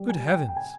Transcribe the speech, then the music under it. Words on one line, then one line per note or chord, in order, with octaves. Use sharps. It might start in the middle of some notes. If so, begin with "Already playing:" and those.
Good heavens!
Already playing: G3
G#5
G5
G5
G#5